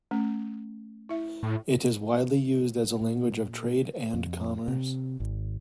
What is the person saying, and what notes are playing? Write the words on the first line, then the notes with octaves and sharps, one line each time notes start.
It is widely used as a language of trade and commerce.
A3 C#4
E4 E5
A2
A#2
F2
C3
G#1